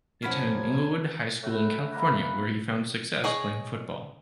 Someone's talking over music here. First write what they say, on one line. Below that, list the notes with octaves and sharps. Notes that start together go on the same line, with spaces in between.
He attended Inglewood High School in California where he found success playing football.
E2 F3 F#3 C#4 E4 F#5 G#6
A2 A3 F#4
B2 A#3 E4 F#4
G#4 C#5 D#5